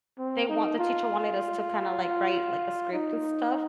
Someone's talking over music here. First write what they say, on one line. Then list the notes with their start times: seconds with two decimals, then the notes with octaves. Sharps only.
they want the teacher wanted us to kinda, like, write, like, a script and stuff
0.19 C4
0.49 D#4
0.79 F4
2.93 D#4